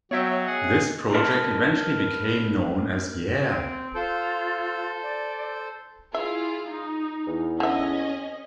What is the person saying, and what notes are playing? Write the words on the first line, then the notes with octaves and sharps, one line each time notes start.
This project eventually became known as Yeah!
F#3 B3 F#4 C#5 D#5 E5 G5
G#4 F#5
A#4 B4 D#5 A5
C4
F4 A4 C5
D5
E4 F4 G#4 E5
D#4
E2
D3 C#4 D#5 E5